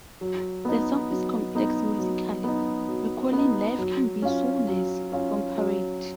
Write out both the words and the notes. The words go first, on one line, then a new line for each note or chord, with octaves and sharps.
The song is complex musically, recalling "Life Can Be So Nice" from "Parade".
F#3
B3 D#4
F#3
B3 D#4
F#3
B3 D#4
F#3
B3 D#4
F#3
C#4 F4
F#3
C#4 F4
F#3